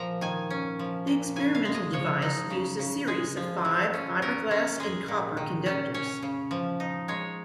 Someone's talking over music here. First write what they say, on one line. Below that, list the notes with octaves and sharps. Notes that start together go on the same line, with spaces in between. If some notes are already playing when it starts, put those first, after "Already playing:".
The experimental device used a series of five fiberglass and copper conductors.
Already playing: A#2 F3 A#5
D#3 G#5
C#4
F3
A#2
C#3 G#5
F5
G#3
D#5
F3 C#5
D#4
C#3
C#3
G#3 G#4
F3
F3
C#4
C#4 A#4
C#4
G#3 G#4
A#2
D#3
C#4
C#4 C#5
C#3
F3
D#4
G#3 C#5